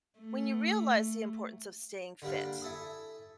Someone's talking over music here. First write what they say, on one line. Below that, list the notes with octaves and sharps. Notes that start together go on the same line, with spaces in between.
when you realized the importance of staying fit?
A3
D3 G3 A#3 D4
E4 A4 G#5 D#6